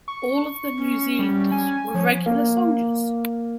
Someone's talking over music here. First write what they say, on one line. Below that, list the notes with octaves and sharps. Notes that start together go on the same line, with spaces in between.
All of the New Zealanders were regular soldiers.
C#6
C#4
G3
G#5
F3 C#5
A#3